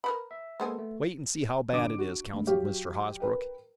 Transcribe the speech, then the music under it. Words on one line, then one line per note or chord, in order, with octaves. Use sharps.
"Wait and see how bad it is," counseled Mr. Hosbrook.
A#4 B4 B5
E5
G#3 A#3 B3 A4 C5 G#5
A3
G1 D6 D7
F#4
D2 G#2
F#3 G4 C#5 F5
A#4 B4 G5